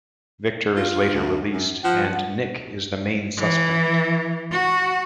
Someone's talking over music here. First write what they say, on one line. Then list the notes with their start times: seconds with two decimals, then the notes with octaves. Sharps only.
Victor is later released and Nick is the main suspect.
0.76 F4
1.13 D2
1.52 F#2
1.84 F3 F#5
3.38 E3
4.52 F#4